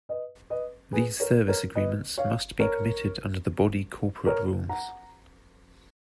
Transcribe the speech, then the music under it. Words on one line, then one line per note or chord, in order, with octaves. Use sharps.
These service agreements must be permitted under the body corporate rules.
B4 D#5
B4 D#5
G#4 B4
A#4 C#5
A#4 C#5
B4 D#5
C#5 F5
A#4 C#5
A#4 C#5
F#5 A#5